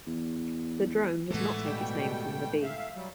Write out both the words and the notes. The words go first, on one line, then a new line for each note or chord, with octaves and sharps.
The drone does not take its name from the bee.
E2
A2 E3 G#3 A3 B3
B2 G3 G5
E5 F5
F#3 G3